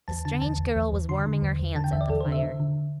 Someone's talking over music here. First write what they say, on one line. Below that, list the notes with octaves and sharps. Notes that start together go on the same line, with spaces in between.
The strange girl was warming her hands at the fire.
E2 A5
D3 A5
E2 A5
E2
E2
E2
D3 C6
D3
E2
E2
D3 A5
G5
E2 E5
D5
E2 A4
C5
D3
E5
D3
D3